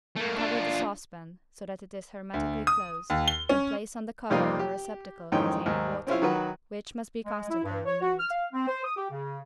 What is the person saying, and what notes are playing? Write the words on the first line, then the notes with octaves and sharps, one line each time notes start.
Cover the saucepan so that it is hermetically closed and place on the cover a receptacle containing water, which must be constantly renewed.
A3 A#3
D4 F4
D2
D#6
D#2
G7
C#4
F2 C3 G3 A#3 D#4 F4
G4
F2 G#2 D#3 E3 C#4 G5
D#2 G#2
C4 C#4 E4 F4
D#3 F#3 F#4 B4
G#3
E4
G2
C#5
F#4
F6
F5
C4
C5
D#6
G4
C#3